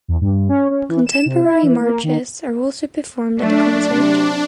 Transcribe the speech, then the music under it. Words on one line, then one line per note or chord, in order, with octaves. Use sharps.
Contemporary marches are also performed at the concert.
E2
G2
C#4
C#4
E3
E7
C3
E4
E3
A#3
D#3
F#3 A3 D4
C3 F#3